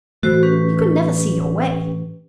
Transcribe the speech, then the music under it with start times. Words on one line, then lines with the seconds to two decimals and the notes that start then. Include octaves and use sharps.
You can never see your way!'
0.23 A2 E3 A3 F#4 C5
0.43 C#4 G4 B4